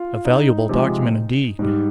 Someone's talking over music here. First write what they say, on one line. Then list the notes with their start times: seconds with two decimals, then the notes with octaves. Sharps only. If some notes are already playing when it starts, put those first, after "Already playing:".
'A valuable document, indeed!'
Already playing: F4
0.25 D#4
0.69 C3 F3 G#3
1.59 G#2 G3